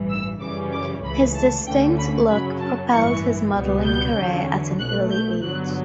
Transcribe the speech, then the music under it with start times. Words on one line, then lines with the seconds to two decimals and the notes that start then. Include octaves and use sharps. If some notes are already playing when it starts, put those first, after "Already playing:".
His distinct look propelled his modeling career at an early age.
Already playing: A1 G2 E3
0.10 E6
0.41 F#2 C#3 E3 G3 C#4 D6
0.72 D6
1.03 C#2 C#3 E3 A3 B5
1.34 A5
1.66 D2 D3 A3 C#4 G5
1.98 B5
2.29 F#2 C#3 F#3 C#4 B5
2.60 A5
2.91 A1 G2 E3 C#6
3.54 C#2 B2 G3 B3
3.86 G6
4.17 E2 D3 F#3 C#4
4.80 B1 B2 A3 F#6
5.11 G6
5.42 G2 D3 F#3 B3 F#6